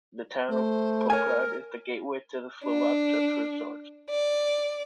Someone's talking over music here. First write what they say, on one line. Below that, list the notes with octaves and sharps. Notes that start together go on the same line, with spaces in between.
The town of Poprad is the gateway to the Slovak Tatra resorts.
A3 C5
A#4 C#5 G#5
D4
D5